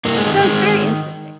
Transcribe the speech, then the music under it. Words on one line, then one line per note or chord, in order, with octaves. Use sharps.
So, it's very interesting.
G2 A#3
G#3
D#3
G#3
D#3
D#3